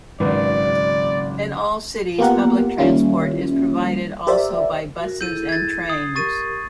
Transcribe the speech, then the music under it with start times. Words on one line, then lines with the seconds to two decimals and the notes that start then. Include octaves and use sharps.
In all cities public transport is provided also by buses and trains.
0.20 G#1 C#3 F#3 B4 D5
2.19 A#3 B3 F4 G4 A#4 F#5
2.78 D#3 G3 A#3 C#4 E4 F4
4.27 G4 A#4 C5 D5 E5
5.00 F#4 A#4
5.21 E4 G#4 A4 G6 D#7
5.49 G#6 A6
5.90 D#6 C7
6.16 G4 A#4 C#6 A6 D#7